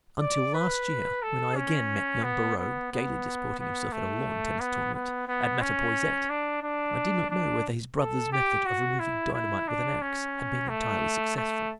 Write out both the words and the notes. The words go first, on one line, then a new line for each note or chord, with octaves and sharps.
Until last year, when I again met young Borrowe gayly disporting himself at a lawn-tennis tournament at Mattapoisett, I did not know whether his brother's method of removing dynamite with an axe had been entirely successful.
D5
B4
A4
C#4
B3
B3
B3
B3
A3
B3
B3
B3
C#4
D4
D4
D4
A4
G4
F#4
E4
E4
D4
C#4
A3
A3